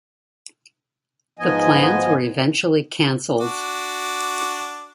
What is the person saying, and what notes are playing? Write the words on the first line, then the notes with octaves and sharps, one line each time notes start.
The plans were eventually cancelled.
G#2 F3 B3 D#5 G#5
D4 F#4 D6